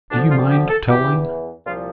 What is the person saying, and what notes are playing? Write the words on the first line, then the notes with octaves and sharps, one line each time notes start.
Do you mind telling?
D2 D3 F3 D4
F4
G4
A4
E2 E3 G4
C2 A#2 F3 F4